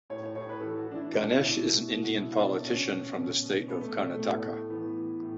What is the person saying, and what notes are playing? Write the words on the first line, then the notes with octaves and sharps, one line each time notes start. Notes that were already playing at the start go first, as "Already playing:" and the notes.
Ganesh is an Indian politician from the state of Karnataka.
A2 C#5
C#5
A2 C#5
B4
E3 A4
F#4
E3 D4
E4
B2 D4
B2 E4
B2
B2
F#4
B2 E4
B2 D4
B2 C#4
B2
B2
B2
B2 B3
A3
B2
A3
A2
A2
E3 B3
E3
A2